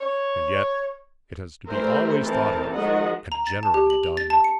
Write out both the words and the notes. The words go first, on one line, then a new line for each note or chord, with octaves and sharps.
And yet it has to be always thought of, and generally done.
C#5
E3 G3 A3 A#4 C5 E5
E3 C4 A4 A#4 A5
D#3 F3 G#3 F#4 D#5 F#5
A#5
A6
A5
G4
F#7
F7
A6
A5
C#7